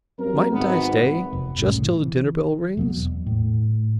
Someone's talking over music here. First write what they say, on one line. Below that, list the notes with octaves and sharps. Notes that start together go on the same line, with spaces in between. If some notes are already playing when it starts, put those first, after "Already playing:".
"Mightn't I stay just till the dinner-bell rings?"
G2 F#3 C4 A#4
G#1 B3
F1
C2 A2 C#3
E3
F1 F#3 B3
E1
A2